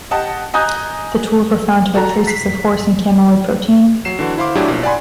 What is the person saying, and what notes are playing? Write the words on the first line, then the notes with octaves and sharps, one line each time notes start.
The tools were found to have traces of horse and cameloid protein.
G4 D#5 F#5 A5
D#5 G#5 A#5 D#6 F#6 G6
F#4 A4 A#5
B6 C7
F#3 C7 E7
D3 E3 F#4 F#5
E4 C5 F5 C6 D6
A2 F#3 D4 E4 G4 G#4
B1 F3 A#3
D5 F#5 G#5 B5 C6